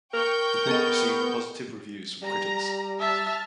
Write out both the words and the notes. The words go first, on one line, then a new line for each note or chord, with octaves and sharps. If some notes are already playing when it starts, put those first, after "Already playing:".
The book received positive reviews from critics.
A#4 G5 C#6 G6
B3 G#4 A4 D#5
G3 A#5
E5 A5 F6